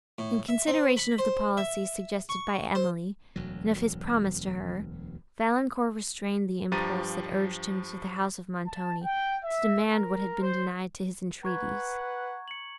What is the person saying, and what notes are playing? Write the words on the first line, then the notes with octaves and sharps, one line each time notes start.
In consideration of the policy, suggested by Emily, and of his promise to her, Valancourt restrained the impulse, that urged him to the house of Montoni, to demand what had been denied to his entreaties.
A2
E5
C4
B5
C5
E5
C#6
C5
E1 D2 F#3
G2 F3 G4 A#5 A6 D#7
A5
G5
E5
A#4
C5
B4 F#5 A#5 C#6 G#6
C#7 F#7